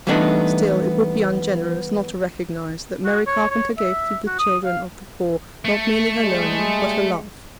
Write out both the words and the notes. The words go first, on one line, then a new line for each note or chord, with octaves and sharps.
Still, it would be ungenerous not to recognise that Mary Carpenter gave to the children of the poor not merely her learning, but her love.
E3 G3 A3 B3 D4 D#4
F#4
C#5
C#5
E5
F#4
D#6
F5
A3
G3 G#3